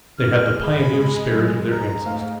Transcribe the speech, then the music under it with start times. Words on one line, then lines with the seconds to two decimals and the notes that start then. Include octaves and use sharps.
They had the pioneer spirit of their ancestors.
0.18 G#3 F6
0.62 G#2 B5
1.31 F#3
1.71 G#2 A#5
2.06 A3 C5 F5